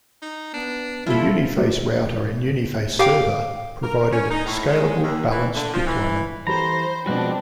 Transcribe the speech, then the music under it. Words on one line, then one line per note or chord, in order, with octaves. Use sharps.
The Uniface Router and Uniface Server provided scalable, balanced deployment.
D#4
B3 D4
F3 G3 E4 F4 A4
A3 F#4
G4 F5 G5 D6
A#4
C#4
D#4
A2
G#3
D#2
E3
D3
F3
E3
E3 G4 A4 C5 A#5 B5
B2 F3 G#3 C4 D4 F#4